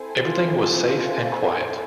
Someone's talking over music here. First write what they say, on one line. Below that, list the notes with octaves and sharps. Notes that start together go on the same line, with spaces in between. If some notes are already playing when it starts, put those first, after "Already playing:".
Everything was safe and quiet.
Already playing: C4 E4 A4 C5 G#5
F4